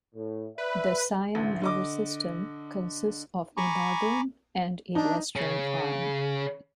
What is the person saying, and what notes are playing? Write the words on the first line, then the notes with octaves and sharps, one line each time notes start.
The "Siam River System" consists of a northern and a western arm.
A2
B4 D5 E5
A1 D2
D3 D#5 D6
G#5 A#5 B5 C#6 D6
D4 D#4
C#3